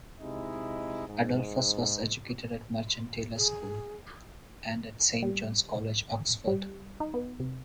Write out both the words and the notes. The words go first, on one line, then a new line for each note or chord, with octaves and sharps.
Adolphus was educated at Merchant Taylors' School and at Saint John's College, Oxford.
C3 G#3 D#4 E4
G#2
G#4
G3
G3
D#4
B3
C3